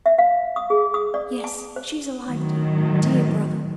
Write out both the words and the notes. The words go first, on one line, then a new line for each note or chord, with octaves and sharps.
'Yes, she is alive, dear, dear brother!
E5
F5
D#6
G#4
D#6
D5
A5
C5
A2 D#3 F#3